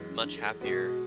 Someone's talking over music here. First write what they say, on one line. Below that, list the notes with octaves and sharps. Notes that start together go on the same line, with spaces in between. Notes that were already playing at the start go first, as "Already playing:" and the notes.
much happier.
Already playing: F#2 E3 G#3 B3
C#4
D4
A4
G#4
B2 G#3 B3 F#4